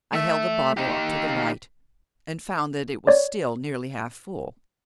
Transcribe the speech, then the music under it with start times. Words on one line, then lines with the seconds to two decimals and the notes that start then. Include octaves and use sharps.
I held the bottle up to the light, and found that it was still nearly half full.
0.13 A3 E5
0.77 D#4 G4
3.07 C#5 D5